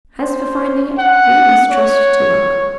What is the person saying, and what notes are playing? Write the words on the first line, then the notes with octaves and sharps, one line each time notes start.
"As for finding it, we must trust to luck."
C5
F#5
C#5